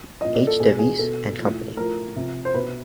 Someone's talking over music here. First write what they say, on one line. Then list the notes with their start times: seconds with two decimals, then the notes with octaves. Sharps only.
H. Davies and Company.
0.21 A#2 F3 D#5
0.35 D5
0.47 A4
0.60 B2 G#4
0.79 G#4
0.99 B2 A4
1.38 A2 F3
1.76 A2 F3 A#4
2.16 C3 F3
2.45 C5
2.54 B2 B4